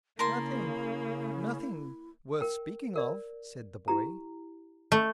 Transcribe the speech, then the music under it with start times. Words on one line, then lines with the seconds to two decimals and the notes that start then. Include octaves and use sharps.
"Nothing--nothing worth speaking of," said the boy.
0.19 C#3 A#3 E4 A#4 A5 C6
2.41 A#4 G5
2.96 A#4 D5
3.88 E4 G4 A#5
4.92 A3